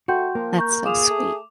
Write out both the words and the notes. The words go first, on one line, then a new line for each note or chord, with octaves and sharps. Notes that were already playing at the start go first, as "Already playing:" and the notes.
That's so sweet.
A3 F#4 G5 C6 G6
F3 A#3
A#4 C#6 G6
F4 G#4 D6 E7 F7
A3